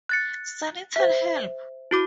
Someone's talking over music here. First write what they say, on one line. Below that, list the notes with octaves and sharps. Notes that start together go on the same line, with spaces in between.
Sentinel Help!
F#6 A6 C#7
C5 E5
E4 F#4 D6